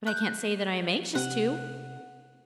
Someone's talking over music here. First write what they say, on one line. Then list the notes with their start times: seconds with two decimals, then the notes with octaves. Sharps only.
But I can't say that I am anxious to.
0.07 F#6 G6
1.15 C3 F#5